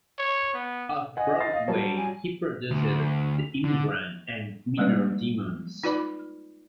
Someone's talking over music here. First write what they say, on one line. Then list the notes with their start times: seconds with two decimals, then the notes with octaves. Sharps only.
Off-Broadway, he produced "The Immigrant" and "Minor Demons".
0.19 C#5
0.54 B3
1.17 D#5 F#5 G#5
1.41 A6 A#6 C7
1.53 F5
1.68 F#3 G3 C#5 A5
1.97 G#5
2.71 D2
3.64 D3
4.78 G3 G#3 A#3 C4 B4 D5
5.83 D#4 F4 B4 D5 B5 D6